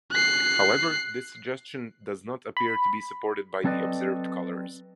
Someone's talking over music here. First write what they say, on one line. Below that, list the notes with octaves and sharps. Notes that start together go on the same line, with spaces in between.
However, this suggestion does not appear to be supported by the observed colours.
F#6 C7
B5
F#3 C4 A4 B4 D5 D#5